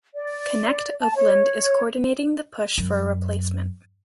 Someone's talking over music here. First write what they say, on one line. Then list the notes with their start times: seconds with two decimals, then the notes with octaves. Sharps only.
ConnectOakland is coordinating the push for a replacement.
0.14 D5
1.01 A5
1.15 C#5
2.78 F#2